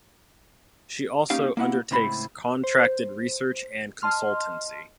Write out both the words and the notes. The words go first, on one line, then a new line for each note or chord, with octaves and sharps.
She also undertakes contracted research and consultancy.
A#3 C#4 D#4 G4 F5
A#3 E4 F#5
C#2 A2 C4 B5
C5
D#5 A5 C6 F6